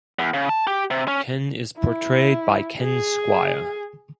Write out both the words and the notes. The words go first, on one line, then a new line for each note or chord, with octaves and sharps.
Ken is portrayed by Ken Squier.
E2
C#3
A5
G4
C3
C#4
E4
G#4